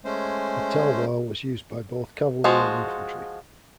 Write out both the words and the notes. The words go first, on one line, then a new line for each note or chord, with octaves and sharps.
The talwar was used by both cavalry and infantry.
G#3 A3 C#4 C5
F3 G#3 F#4